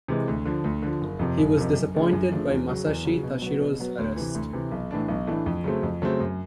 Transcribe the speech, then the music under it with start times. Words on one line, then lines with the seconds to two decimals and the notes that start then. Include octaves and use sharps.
He was disappointed by Masashi Tashiro's arrest.
0.08 C3 E3 G#3
0.28 D2
0.45 D3 F3
0.64 D2
0.82 D3 F3
1.01 F#1
1.19 F2 C3
1.38 F#1
1.57 F2 C3
1.75 F#2
1.95 C#3 F3 A3 D4
2.13 F#2
2.32 C#3 F3 A3 D4
2.50 E2
2.69 C#3 F#3
2.86 E2
3.05 C#3 F#3
3.23 B2
3.42 F#3 B3
3.60 B2
3.80 F#3 B3
3.98 D2
4.16 C3 E3
4.35 D2
4.53 C3 E3
4.71 B1
4.91 A2 E3 A3 D4
5.08 B1
5.27 A2 E3 A3 D4
5.46 F2
5.64 C#3 F#3 A3 C4
5.83 F2
6.02 C#3 F#3 A3 C4
6.20 F#2